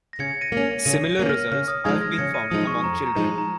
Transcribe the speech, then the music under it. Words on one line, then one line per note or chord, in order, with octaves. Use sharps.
Similar results have been found among children.
A#6
C#3 G#6 C#7
A#6 D#7
A#3 C#4
C#3 A#6 D#7
A#3 C#4
F6 A#6
C#3 F6
D#6
F3 G#3 D#4 D#6 G#6
F6 A#6
A#6
C#3 G#6 C#7
A#6 D#7
F3 G#3 D#4 D#6
C#6
F2 A#5
A#5
F3 G#3 D#4
A#5